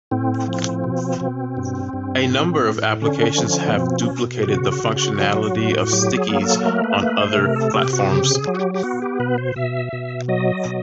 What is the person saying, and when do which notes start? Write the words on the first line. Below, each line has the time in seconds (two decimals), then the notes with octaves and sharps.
A number of applications have duplicated the functionality of Stickies on other platforms.
0.11 A2 C4
0.48 F3
0.84 B2
1.21 B2
1.57 G2
1.93 G2
2.30 A2
2.66 A2
3.02 D3 C#4
3.38 F3
3.69 B3
3.75 B2 C4
3.99 C#4
4.11 B2
4.43 G4
4.47 C#3 F#4
4.71 F#4
4.84 C#3
4.96 F#4
5.20 F#3
5.56 A2
5.82 F#4
5.93 F#3 G4
6.17 G#4
6.29 A#3
6.42 A4
6.66 A3 A#4
6.84 B4
7.01 A3 B4
7.20 C5
7.38 C3 A#4
7.56 A4
7.74 C3 G4
7.93 F#4
8.11 C#3 G4
8.35 G#4
8.47 F#3
8.54 F#4
8.59 G4
8.74 G4
8.83 B3 F#4
9.02 G4
9.19 B2 B4
9.38 C5
9.56 B2 E5
9.93 B2
10.28 F#3 D#5
10.65 B2